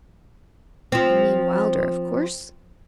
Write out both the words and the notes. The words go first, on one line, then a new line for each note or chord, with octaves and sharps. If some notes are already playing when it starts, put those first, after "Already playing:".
You mean Wylder, of course?'
F3 C4